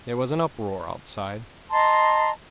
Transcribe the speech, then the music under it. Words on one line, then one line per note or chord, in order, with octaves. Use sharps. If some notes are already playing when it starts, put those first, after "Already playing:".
There was an uproar outside.
D#5 A5 A#5 C6